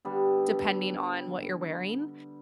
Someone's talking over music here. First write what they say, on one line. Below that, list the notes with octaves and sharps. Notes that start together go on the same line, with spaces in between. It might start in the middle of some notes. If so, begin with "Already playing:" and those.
depending on what you're wearing,
D3 G3 B3